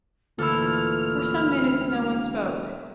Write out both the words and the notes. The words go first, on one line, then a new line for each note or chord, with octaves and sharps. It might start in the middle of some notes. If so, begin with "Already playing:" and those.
For some minutes no one spoke.
D2 A#2 E3 E4 A4 F6
E1